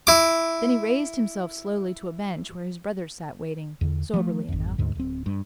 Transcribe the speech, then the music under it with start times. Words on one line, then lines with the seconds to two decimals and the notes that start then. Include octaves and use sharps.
Then he raised himself slowly to a bench where his brothers sat waiting, soberly enough.
0.07 E4 D6
3.81 E2 D3
4.14 F3 A3
4.48 G#1 F2
4.78 D2 G#2 D3
4.95 D1 C4
5.26 G2